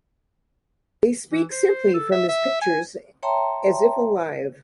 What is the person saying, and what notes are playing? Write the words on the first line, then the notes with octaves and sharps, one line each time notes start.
They speak simply from his pictures, as if alive.
E3
C5
A4
E5
E5
G#5
C#5 E5 G5 A5 A#5 C6